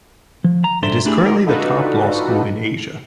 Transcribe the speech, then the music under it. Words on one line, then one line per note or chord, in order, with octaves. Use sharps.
It is currently the top law school in Asia.
F3
A#5
C2 G2 D4 A4 C5 E5
A3 D4 E4 G4 G#4
D#4 A#4
D4 D#4 F4 F#4 A4 B4